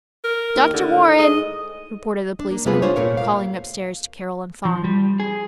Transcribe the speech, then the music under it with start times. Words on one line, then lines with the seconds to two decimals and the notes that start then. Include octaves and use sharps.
"Dr. Warren," reported the policeman, calling upstairs to Carroll and Thong.
0.24 A#4
0.55 D#2
0.73 A2 D3
1.19 G#2 D#5
2.39 D4
2.51 A#3
2.65 C3 A3 B3 F4 G#4 B4
2.82 D4 F4 C5 C#5
2.96 A#2 A3 A#4 C#5 F5
3.17 F5
4.65 F3
4.84 G3
5.20 G#4